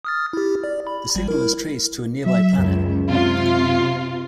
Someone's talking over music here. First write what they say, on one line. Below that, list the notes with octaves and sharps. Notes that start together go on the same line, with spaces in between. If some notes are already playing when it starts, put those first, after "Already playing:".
The signal is traced to a nearby planet.
D#6 F6 A6
E4 G4
D5
B5
G#1 G3
E4 A#4
F#3 E5
C#2 F#2
C3 F4